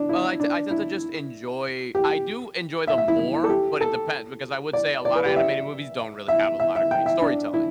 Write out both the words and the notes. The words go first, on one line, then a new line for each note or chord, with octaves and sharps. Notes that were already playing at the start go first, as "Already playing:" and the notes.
Well, I te I tend to just enjoy I do enjoy them more, but it depends, because I would say a lotta animated movies don't really have a lotta great storytelling;
Already playing: D4
E4
D4
E4
G4
E5
E5
E4
E4
A4
G4
A4
D5
D5
B4
G4
E5
E5
E5
E5
G5
E5
D4
E4